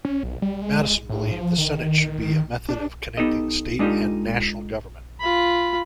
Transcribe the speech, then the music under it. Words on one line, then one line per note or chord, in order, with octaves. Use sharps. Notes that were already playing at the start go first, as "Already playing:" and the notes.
Madison believed the Senate should be a method of connecting state and national government.
C#4
B1
G3
G#3
A2
F3
D#3
D4
B3 D#4 G4 A4 D#5
G#3 D4 D#4 F4 G4 A4
F4 B5